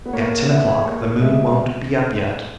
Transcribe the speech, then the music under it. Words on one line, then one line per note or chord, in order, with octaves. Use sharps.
At ten o'clock the moon won't be up yet.
B3
A#3 C#5
G#4
B3 E5
G#4
A#3 C#5
G#4
G#3 E5